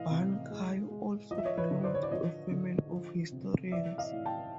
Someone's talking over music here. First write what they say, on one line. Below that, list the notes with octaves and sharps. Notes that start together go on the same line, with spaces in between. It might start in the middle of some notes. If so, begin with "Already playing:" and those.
Ban Chao also belonged to a family of historians.
Already playing: A2 E3 D#5 F5
C3
G#3
G#3
F3 D#5
E5
C#5 D#5
B4 C#5
D3
C5 D5
C#5
D5
F3 C#5 D#5
D3
F3
C3
E3 D5 E5
D#5 F5
A2
G5 A5